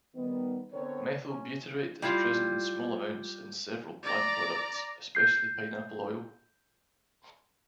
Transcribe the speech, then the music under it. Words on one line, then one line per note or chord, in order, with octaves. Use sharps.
Methyl butyrate is present in small amounts in several plant products, especially pineapple oil.
D#3 G3 B3
D3 B3 C4 A#4 C#5
C#4
G3 E4 F4
D5 A#5
G6 C7